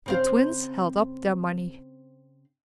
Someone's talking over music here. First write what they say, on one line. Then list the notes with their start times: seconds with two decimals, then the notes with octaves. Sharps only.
The Twins held up their money.
0.06 C#3 C4 F5